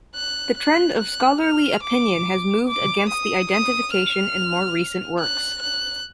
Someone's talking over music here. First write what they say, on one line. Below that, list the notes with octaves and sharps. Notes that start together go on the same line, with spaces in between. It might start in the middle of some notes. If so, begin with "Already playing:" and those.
The trend of scholarly opinion has moved against the identification in more recent works.
F#6
F#6
F#6
F6
D6
D6
D#6
D#6
F6
F#6
F#6